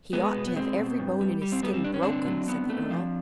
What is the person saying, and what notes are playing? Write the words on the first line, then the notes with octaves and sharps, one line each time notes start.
"He ought to have every bone in his skin broken," said the earl.
G#3 B3
B2
B3
G#3 C4
B2
G2
G3
G3
C4
G3 B3
C4
G2 D4
C#4
D3 C4 D4
F#3
B3
A3
F3